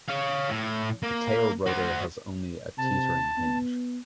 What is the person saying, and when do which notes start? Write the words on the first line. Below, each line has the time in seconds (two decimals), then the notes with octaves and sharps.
The tail rotor has only a teetering hinge.
0.08 C#5 F5
0.50 A2
1.03 A#3
1.66 F#4 C5
2.78 C3 A5
3.38 B3